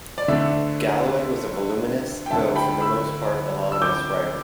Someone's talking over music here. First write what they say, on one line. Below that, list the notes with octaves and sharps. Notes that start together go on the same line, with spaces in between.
Galloway was a voluminous, though, for the most part, anonymous writer.
D5
D2 D3 A3 D4 E5
G5
D2 D3 A3 E5 A5
G5 B5
B5 E6
E6
D6 G6